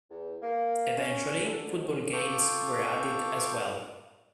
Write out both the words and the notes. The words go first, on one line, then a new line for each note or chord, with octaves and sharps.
Eventually, football games were added as well.
E2
A#3
C#4
D3
G#2
F4 A4 G5 C#6 D6